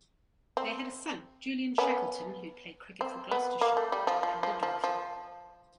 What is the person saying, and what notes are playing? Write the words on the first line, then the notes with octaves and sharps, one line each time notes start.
They had a son, Julian Shackleton, who played cricket for Gloucestershire, and a daughter.
C4
B3 C#4
C4
B3
A#3
A3
G3
F3
F3
F3
F3
F3